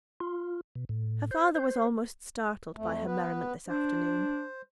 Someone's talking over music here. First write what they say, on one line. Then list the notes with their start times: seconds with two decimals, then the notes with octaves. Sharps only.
Her father was almost startled by her merriment this afternoon.
0.20 F4
0.75 B2
0.89 A2
1.31 C5
1.55 C5
2.76 F2 A3
3.06 B3 B4
3.68 D4 C5